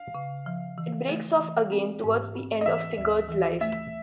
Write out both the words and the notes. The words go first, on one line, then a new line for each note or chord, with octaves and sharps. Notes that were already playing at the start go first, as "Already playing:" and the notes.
It breaks off again towards the end of Sigurd's life.
Already playing: F5
C#3
F3
E3
A3
E3
C4
G#2
C4
D#5
E3 E5
D2
E3
A3 E5